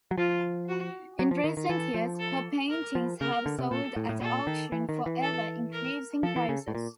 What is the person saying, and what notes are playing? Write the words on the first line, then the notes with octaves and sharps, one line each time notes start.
In recent years, her paintings have sold at auction for ever increasing prices.
F#3
F3 F4
F#4
F#3
F3
D#3
D#3
E3 A4
F3
A4
A#4
F3
C#3 A#4
D3
C3
A#2 A4
A2
A2
A#2 A4
D#3
E3
D#3
E3
A4
A#4
F3 A4
E3
C#3
A2
A#2